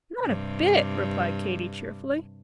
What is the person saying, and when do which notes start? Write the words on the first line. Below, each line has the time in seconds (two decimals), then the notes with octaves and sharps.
"Not a bit!" replied Katy, cheerfully.
0.21 G2 C3